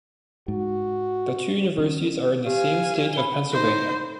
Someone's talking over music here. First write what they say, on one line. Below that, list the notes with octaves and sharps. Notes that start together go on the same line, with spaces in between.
The two universities are in the same state of Pennsylvania.
G#2 F#4
D#3 C#4
G4 F5 G#5
B5 G7
D#4 C5